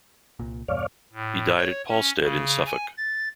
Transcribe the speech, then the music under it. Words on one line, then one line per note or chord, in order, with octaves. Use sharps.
He died at Polstead in Suffolk.
C2 A#2
E2 G2 B2 C#5 D5 F5
A2
C#5
C#4
C#3
G#5
A6